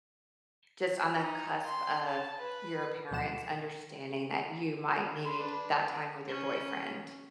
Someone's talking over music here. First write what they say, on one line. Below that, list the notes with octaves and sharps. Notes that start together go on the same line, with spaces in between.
just on the cusp of your parents understanding that you might need that time with your boyfriend.
D#4
C6
A5
B4
D2 B2 F3 F#5 E7
B5 C6
D4 B4
C#4